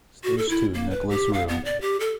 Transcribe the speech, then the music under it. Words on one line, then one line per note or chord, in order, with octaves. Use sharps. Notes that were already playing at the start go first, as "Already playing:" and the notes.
Stage two Nicolas Roux.
F#4
A4
E4
A#3
B4
G4
F5
B3
D5
G4
A4